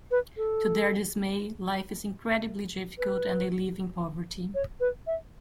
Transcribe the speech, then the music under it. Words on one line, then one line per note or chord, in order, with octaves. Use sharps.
To their dismay, life is incredibly difficult and they live in poverty.
B4
A4
B4
C#5
B4
E5